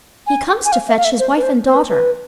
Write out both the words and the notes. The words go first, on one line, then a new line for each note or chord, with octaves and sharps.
"He comes to fetch his wife and daughter."
G#5
G#5
F5
E5
F5
E5
C5
B4
C5
C5
B4
B4